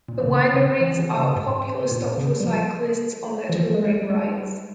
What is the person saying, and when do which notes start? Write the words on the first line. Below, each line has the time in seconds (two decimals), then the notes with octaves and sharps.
The wineries are a popular stop for cyclists on their touring rides.
0.08 A#2
0.20 E3
0.26 C#3
0.54 C#3
0.81 E3
0.91 F3
0.99 E3
1.17 C#3
1.36 G#2
1.91 A#2
2.18 C#3
2.40 G3
2.46 F3
3.49 E3
3.55 F3
3.74 G#3
3.85 G#3
3.92 G3
4.10 G#3
4.38 G3